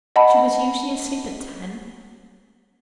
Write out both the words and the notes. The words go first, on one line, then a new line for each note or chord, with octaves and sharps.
She was usually asleep at ten.
D#5 F#5 A5 B5